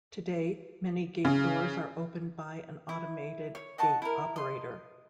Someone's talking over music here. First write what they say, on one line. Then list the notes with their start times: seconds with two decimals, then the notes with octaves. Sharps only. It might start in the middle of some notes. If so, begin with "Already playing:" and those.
Today, many gate doors are opened by an automated gate operator.
1.25 C#3
2.89 E4
3.55 C#5
3.78 D#5 F#5 A5 C#6
4.02 E4 A#4
4.36 D#5 C6